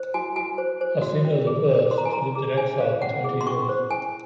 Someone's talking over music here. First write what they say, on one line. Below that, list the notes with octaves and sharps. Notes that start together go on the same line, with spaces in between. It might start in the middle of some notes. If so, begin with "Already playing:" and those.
Arsinoe the First lived in exile for twenty years.
Already playing: C5
F#4 G#5
F#4 G#5
C5
C5
F#4
C#4
G#4
C#4
C5 C6
A#5
G#5
C#4 A#5
G#4
C#4 G#5
C5 F5
C#4 F#5
G#4
C6
C#4 C#6
C5
C#4 G#5